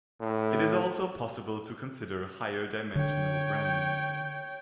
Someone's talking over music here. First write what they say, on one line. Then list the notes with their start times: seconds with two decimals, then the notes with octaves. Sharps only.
It is also possible to consider higher-dimensional branes.
0.20 A2
2.96 D3 C#5 G5